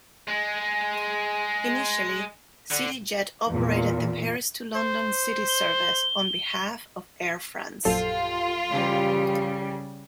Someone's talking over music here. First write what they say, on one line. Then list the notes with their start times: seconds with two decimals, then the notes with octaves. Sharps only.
Initially, CityJet operated the Paris to London City service on behalf of Air France.
0.28 G#3
2.72 D3
3.49 E2 A#2
4.76 C5
5.48 G7
7.85 A#1 F#2 G3 F4 A4 C5
8.71 A2 C#3 E3 G3 G4